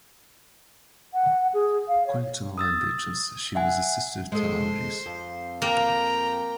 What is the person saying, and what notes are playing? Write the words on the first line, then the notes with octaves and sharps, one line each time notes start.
According to Iamblichus, she was a sister of Telauges.
F#5
G#4
F5
C#5
D#6 E6 A6
E5 F#5 G#5
G#3 A4 C5
F2
A#3 G5 A#5